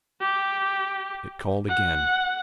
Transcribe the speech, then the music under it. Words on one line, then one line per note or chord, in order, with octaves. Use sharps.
It called again.
G4
F#5